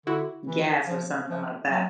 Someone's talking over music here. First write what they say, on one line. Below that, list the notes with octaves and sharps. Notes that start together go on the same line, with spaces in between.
gas, or something like that.
D3 E4 F#4
E3
F3
F3
F#3